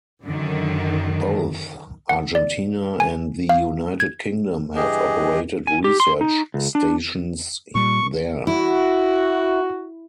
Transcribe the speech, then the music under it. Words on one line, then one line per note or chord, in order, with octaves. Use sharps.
Both Argentina and the United Kingdom have operated research stations there.
F#2 D3 D#3
F#5
D5
G#5
F5
G#6
G2 E3 G4 G#4 D#5
G#5
G4
C6
D#4
C#2
D4
A#2 G3 C#6
E4 F#4